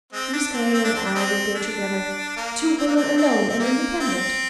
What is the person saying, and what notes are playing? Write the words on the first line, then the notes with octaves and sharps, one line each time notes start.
Miss Grayle and I will go together--two women alone and independent.
G#3 C4
D4
C4
C4
D4
C4
D4
G#3 C4
D4
A#3
C4
A#3
C4
C4
C4
G3 A#3
C4